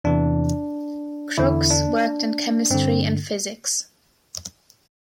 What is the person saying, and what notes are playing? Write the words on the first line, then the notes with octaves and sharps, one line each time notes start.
Crookes worked in chemistry and physics.
E2 C3 E3 D4
E2 D3 E4
D4
G2 D3 C4